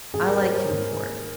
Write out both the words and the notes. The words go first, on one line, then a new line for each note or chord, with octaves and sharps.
I like him for it.'
G#2 D#3 A#3 D#4 G#4
A#4
C5
C#5
G#2 D#3 A#3 D#4